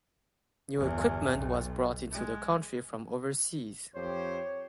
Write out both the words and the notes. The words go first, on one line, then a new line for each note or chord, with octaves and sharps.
New equipment was brought into the country from overseas.
G1 E2
B1
G#3
F2 G4 C5 C#5